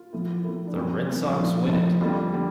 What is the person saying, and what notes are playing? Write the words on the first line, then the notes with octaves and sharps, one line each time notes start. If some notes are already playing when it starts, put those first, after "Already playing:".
The Red Sox win it!
Already playing: F4
A2 F3
A2 F3 A#3
D4
C2 A#2 F3 C4
C2 A#2 F3
A2 F3 D4
A2 F3 D#4
F2 D3 G3 F4
D3 G3